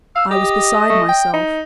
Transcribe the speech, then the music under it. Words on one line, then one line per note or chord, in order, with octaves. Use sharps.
I was beside myself.
F5 E6
G4 D#5
A3
G5
D#4